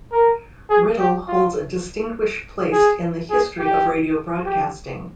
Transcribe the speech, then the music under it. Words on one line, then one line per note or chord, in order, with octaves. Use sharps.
Writtle holds a distinguished place in the history of radio broadcasting.
A#4
G#4
G4
F4
G#4
G#4
G4
G4